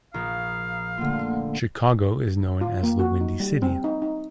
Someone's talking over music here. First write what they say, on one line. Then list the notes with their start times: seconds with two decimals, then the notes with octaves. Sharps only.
Chicago is known as the Windy City.
0.14 A#1 F5 A#5 D#6
0.97 D3 A3 A#3 F4 F#5
2.61 F4
2.83 A#3
2.99 F#4
3.21 D#4
3.40 G3
3.62 C4
3.84 D#4
4.02 D#4